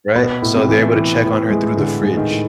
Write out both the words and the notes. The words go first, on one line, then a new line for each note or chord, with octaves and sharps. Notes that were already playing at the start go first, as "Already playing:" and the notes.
right? So, they're able to check on her through the fridge
B2 B3
A2
C3
E3
E3
E3
G#3
A2 D3
G#3
D#3
A2